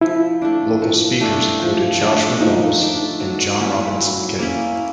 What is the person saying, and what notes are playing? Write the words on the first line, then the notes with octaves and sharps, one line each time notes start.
Local speakers included Joshua Knowles and John Robinson Kay.
F3 E4
A3 D4
F3
A3 D4
F3
A3 D4
F3 D#4
A3 D4
F#3
A#3 C#4 E4
F#3
A#3 C#4 E4